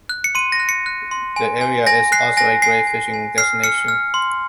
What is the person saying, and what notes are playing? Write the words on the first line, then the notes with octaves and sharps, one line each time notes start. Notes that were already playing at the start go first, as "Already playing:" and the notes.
The area is also a great fishing destination.
F#6
C#7
C6 D#7
A#6
F#6
C#7
F#6
C6
G#5
G#5
G#5 A#6
F#6 C7
G#5 A#6
G#5 C7
G#5
G#5
F6 C7
F6 C#7
F6
C6